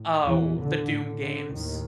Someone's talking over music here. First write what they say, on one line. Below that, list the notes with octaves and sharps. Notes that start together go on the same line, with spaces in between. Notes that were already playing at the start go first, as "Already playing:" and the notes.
oh, the Doom games.
Already playing: A2
E2 A#2 E3
D3
A2
D3
D#2 A2 D#3